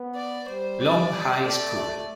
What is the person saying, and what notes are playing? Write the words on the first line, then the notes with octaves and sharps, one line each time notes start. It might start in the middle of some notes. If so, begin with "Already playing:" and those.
Long High School.
Already playing: B3
D5
G3 C5
D5
A3 D5
A3